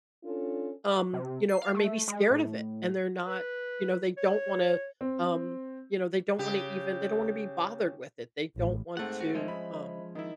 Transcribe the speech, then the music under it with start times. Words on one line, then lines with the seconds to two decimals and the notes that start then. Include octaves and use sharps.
um, you know, are maybe scared of it and they're not, you know, they don't wanna, um, you know, they don't want to even they don't want to be bothered with it. They don't want to, um,
0.24 C#4 D4 F4 A4
1.13 C3
1.49 C7
1.62 F5
1.74 A3
2.08 G#3
2.30 A2
3.27 B4
4.17 C#5
5.01 C4
6.39 C#3 G4
8.56 A1
8.97 G#2 A3 C4 G#4 C5 F#5
9.21 F#4
9.35 F3 G#3 C#4 C5 D#5 E5
9.48 B5
10.15 D#3 E4 D#5